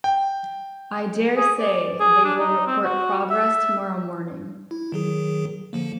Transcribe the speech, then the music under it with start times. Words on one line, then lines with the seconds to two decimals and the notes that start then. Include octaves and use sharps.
I dare say they will report progress tomorrow morning.
0.04 G5
1.37 G#4
1.59 D5
2.00 G#4
2.25 D4
2.40 D#4
2.67 C4
2.84 F#4
3.30 E5
4.71 E4
4.92 D#3 F#3 G#4
5.73 D3 F3 A#3